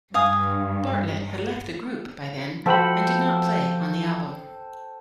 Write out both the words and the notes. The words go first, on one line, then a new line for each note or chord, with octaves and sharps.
Bartlett had left the group by then and did not play on the album.
G2 F5 G#5 D#6
F3 F#4 A4 C5 G5 B5